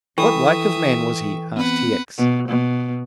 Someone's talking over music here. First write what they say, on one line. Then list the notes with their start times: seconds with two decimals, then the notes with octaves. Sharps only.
"What like of man was he?" asked T. X.
0.18 E3 A4 E5 G5 C#6 D#6
1.56 B3 C4 B4 F#5
2.18 B2
2.48 B2